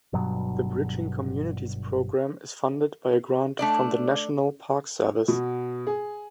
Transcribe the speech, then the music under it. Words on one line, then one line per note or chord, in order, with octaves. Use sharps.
The Bridging Communities program is funded by a grant from the National Park Service.
G1 G2 B2 F#3
A3 D4 D5
B2
G#4